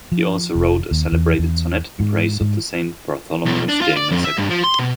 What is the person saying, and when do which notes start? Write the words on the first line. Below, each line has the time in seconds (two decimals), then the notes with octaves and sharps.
He also wrote a celebrated sonnet in praise of the Saint Bartholomew's Day Massacre.
0.12 F3
0.55 F1
0.91 D#2
1.12 E2
1.39 E2
2.00 G#2
2.41 G#2
3.45 B1
3.68 D4
3.81 F4
3.96 D5
4.11 F2
4.24 E5
4.38 G2
4.50 F3
4.64 C6
4.79 B2